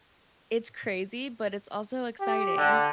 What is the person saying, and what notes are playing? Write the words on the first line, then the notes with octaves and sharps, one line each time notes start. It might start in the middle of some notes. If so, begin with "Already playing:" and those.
it's crazy, but it's also exciting.
G4
D3